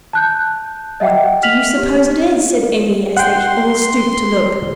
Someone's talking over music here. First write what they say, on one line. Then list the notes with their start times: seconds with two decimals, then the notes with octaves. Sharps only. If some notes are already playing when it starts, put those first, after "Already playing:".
"What do you suppose it is?" said Emmy, as they all stooped to look.
0.13 A5 F#6 G6
1.00 D#5 E5 F#5 G5
1.43 F6 B6 F7 F#7
1.78 G4
3.17 F#5 G5 C6